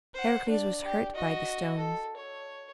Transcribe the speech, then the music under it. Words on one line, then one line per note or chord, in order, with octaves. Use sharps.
Heracles was hurt by the stones.
C5 F#5
D4 D5
G4
F#4 D#5
A4
C#5